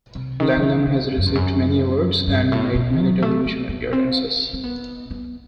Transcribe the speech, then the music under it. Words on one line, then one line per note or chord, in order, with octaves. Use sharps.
Lang Lang has received many awards and made many television appearances.
C3
D#3
F#3
E3
D#3
G2
F#2
E2
F#2
G2
A2
B2
F#3
A3
A3
B3
C4
C4
B3
B3